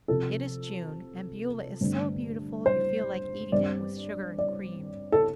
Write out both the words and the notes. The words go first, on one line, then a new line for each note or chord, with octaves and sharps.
It is June, and Beulah is so beautiful you feel like eating it with sugar and cream!
C3 F3 C4 A4
G2 D3 A3 C4
C5
G2 G3 C4 D5
D5
A4